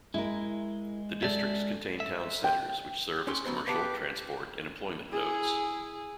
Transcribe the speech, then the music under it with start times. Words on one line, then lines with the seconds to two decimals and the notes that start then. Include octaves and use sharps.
The districts contain town centres which serve as commercial, transport and employment nodes.
0.14 G#3 E4 A#4
1.22 G#3 A4 D5 E5
2.00 E5
2.44 G5
3.27 C#4 G4 C6
3.45 F#3 B3 C5
3.67 B3 G4 B4 F5 A5 D6
5.08 E4 G#4